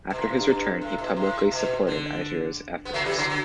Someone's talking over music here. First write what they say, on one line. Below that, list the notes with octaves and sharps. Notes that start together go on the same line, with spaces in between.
After his return, he publicly supported Itera's efforts.
B2
A2
A2
G2
A2
B2
A2
B2
D3
B3
F#3 A3
E3 G3
D3 F#3
F#3